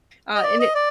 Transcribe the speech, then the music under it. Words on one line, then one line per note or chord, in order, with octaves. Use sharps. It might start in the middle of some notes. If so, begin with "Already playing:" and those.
Uh, and it
D#5
D5
D#5
D5